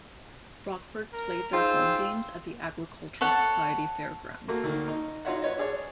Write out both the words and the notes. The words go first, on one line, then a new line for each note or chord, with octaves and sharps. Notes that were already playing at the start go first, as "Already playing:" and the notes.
Rockford played their home games at the Agricultural Society Fair Grounds.
A#4
D#4 F4 G#4 C5 G5 E6
A4 C#5 F#5 A5
A3 A#3 F#4
D2 D#3 A#3
D#4
D#4 F4 F#4 C#5 E5 F#5
B4 C#5 D#5
D4 G#4 C#5